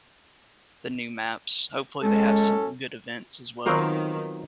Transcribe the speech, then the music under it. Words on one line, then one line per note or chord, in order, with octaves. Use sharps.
the new maps. Hopefully, they have some good events as well.
F#2 G#3 C#4 A4
D#3 F#3 B3 C4 F4 A#4 C5